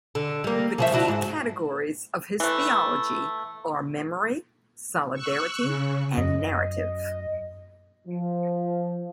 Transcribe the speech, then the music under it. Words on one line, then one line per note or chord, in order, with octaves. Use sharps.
The key categories of his theology are memory, solidarity, and narrative.
D3
G3 A#3
C#3 F3 E5
D4 E4 F#4
G#2
E3 A3
C#6 E6 F#6
C#3
F#2 D#5
F3